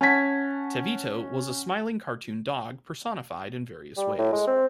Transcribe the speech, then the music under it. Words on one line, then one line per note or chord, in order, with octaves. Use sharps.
Tevito was a smiling cartoon dog personified in various ways.
C#4 F#5 A5 G#6 B6
G3
A2
G#3
C4